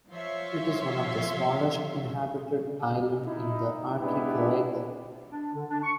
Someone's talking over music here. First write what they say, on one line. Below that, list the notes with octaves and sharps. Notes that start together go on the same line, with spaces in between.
It is one of the smallest inhabited islands in the archipelago.
F3 C#5 E5 F5 C6
D#4 E4
G#3 B3 D4 E4 G4
D4
D3
D4
C#6